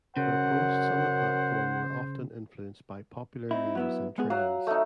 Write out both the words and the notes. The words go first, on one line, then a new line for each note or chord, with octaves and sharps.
Her posts on the platform were often influenced by popular memes and trends.
F#2 C#3 C5 F#5
C4 D#4 E4
F#3 B3 E4
G#3 B3 G#4
F#3 F5 F#5
A3 D#4